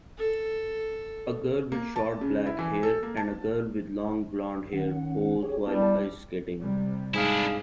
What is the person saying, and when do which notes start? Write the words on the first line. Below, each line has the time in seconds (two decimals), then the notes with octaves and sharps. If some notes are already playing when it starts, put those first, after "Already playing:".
A girl with short black hair and a girl with long blondhair pose while ice skating.
0.18 A4
1.72 A#3
1.96 A5
2.21 C#3
2.46 E4
2.59 E3
2.83 A4
3.03 A#3
3.17 A5
4.72 D#3 C#4 F#5
5.43 G4 G#4 C#5
5.67 G3 B3 E4 A5
6.59 C3 G3
7.14 G#2 D4 E4 G#4 F5